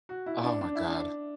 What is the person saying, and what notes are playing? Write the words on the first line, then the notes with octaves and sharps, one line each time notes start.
Oh my god.
F#4
E4
D4
D4
E4
D4